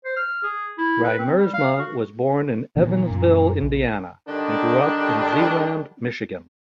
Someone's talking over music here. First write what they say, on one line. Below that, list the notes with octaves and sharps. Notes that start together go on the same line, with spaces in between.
Riemersma was born in Evansville, Indiana and grew up in Zeeland, Michigan.
C5
F6
G#4
E4
B4
C4
G3
F5
F#4
A#2 D#3 E3 B3
F#2
A#1
D3 D#3 G3 D4